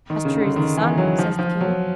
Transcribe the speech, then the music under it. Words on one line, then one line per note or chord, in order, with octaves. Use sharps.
"As true as the sun," says the king.
D#3
C#3
D3
D#3
E3
F#3
F3
F3
F#3